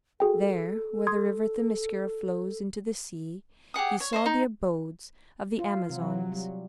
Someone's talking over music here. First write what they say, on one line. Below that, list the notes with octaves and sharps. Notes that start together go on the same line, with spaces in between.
There, where the River Themiscyra flows into the sea he saw the abodes of the Amazons.
F#4 G#4 A4 G5
C6 D#6 G#6
G4 G#4 F#5 D#6
C#5
C5 C#5 D#5
D#4
F4
C3 F#3
G3